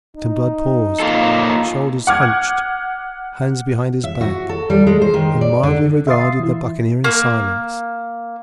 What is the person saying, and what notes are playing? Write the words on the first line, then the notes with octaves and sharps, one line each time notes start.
Captain Blood paused, shoulders hunched, hands behind his back, and mildly regarded the buccaneer in silence.
D#4
A#3 F4 A4
F#5 D6 F6 G#6
E5
F#4
A4
G3
G#3
C5
D#3
D5
D3
E5 F5 C6 D#6 A6 C7
E3 E4
A#3